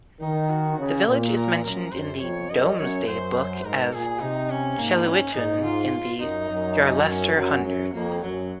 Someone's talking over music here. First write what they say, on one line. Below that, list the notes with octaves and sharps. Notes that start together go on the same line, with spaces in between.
The village is mentioned in the "Domesday Book" as "Cheluitun" in the "Yarlestre" hundred.
D#3 D#4
F#4
C#3
A#2
A#4
F#2 A#4
F#2 C5
F2 C#5
F#2 D#5
F#2 C#5
F#2 C5
C5
G#2 A#4
A#2 G#4
C3 D#4
C#4
G#2 A#3
C#4
G#2 D#4
F4
F#2 D#4
F#2
C#4
F#2 F#3
F#2 F#3
F2 A#3
F#2 F#3